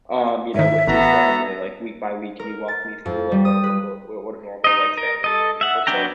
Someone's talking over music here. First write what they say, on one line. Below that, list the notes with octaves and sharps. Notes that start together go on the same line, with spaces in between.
um, you know, with your family, like, week by week? Can you walk me through, like, what a look a what what a normal, like, family reunion looks like?
G#2 D#3 E5
A1 B3 F#4 A4 A#5
A#4
A6
F2
G3
D#6
B4
D#4 D#5
A#4
A4 D#5
E5 F#5
F#3 B3 D4 G5 A#5